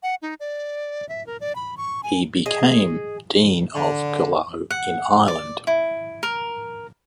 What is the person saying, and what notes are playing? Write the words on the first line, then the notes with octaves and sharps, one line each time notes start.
He became Dean of Killaloe, in Ireland.
F#5
D#4
D5
E5
A#4
D5
B5
C#6
G#5
G#4 D#5
D3
F#5
D5
E4
A#4